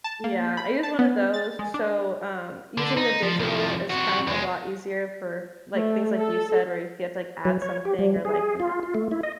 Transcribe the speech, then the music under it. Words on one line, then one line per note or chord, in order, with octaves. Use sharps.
Yeah, I use one of those, so, um, using the digital is kind of a lot easier for, like, things like you said, where if you have to, like, add something or, like, you know,
A5
A#3
B5
A5
B3
A6
G#3
D4
D3
D#4
F3
C2 F3
C4 F#4
E2 G#3
A3
A4
F#3
C#5
G4
G3
G#4
F4
F4
A3
E4
D#5